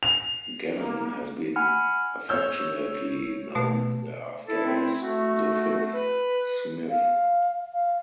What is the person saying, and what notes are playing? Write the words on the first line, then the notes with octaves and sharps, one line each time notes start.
Gannon has been affectionately known thereafter as "the Fifth Smith".
F7
A#3
F#5 G#5 B5 F6
C#5 E6 G6
B2 A3
E4 A4
C4
A3 F#4
B4
F5
F5